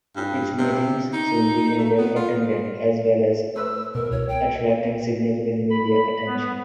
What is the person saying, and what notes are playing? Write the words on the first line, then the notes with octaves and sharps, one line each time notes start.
Its meetings soon became well attended, as well as attracting significant media attention.
G2
C3
D#4
A3
B3
F4
A3 B4 C5 E6
B2 A#4
C2 C#5
G5
B5
B3